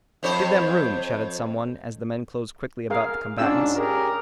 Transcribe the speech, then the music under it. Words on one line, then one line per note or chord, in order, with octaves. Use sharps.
"Give them room," shouted some one, as the men closed quickly about the combatants.
F2 C5 C#5
G#4 A#4 F5
G#2 C#4 D4 F4 E6
G4 G#4 A#4